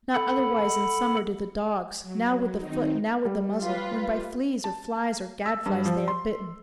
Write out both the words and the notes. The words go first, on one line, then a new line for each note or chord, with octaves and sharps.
Not otherwise in summer do the dogs, Now with the foot, now with the muzzle, when By fleas, or flies, or gadflies, they are bitten.
A4 F#5 B5
F#3
D#3 C4 D#4
G3
F4 B4
A5
E6
G2
F3
C6